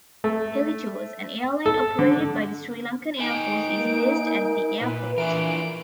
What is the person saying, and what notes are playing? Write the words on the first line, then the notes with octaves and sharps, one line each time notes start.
Helitours, an airline operated by the Sri Lankan Airforce is based at the airport.
A3
A4
D3
D#4 B4 G5 G#5 D7
A#3
A#2 B4
E3 D4 F4 A#4 D7